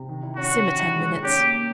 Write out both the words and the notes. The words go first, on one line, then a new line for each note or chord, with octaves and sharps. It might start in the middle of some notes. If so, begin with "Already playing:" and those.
Simmer ten minutes.
Already playing: C3
D#3
E4
C#4 F#4
C#4
D#3
E4
G#3
G#3
C#4 G4
A#3
A#3